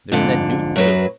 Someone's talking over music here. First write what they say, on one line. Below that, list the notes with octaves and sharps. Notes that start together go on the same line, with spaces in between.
There's Ned Newton, too.
F2 G#2 D3
F#2 F#3 B4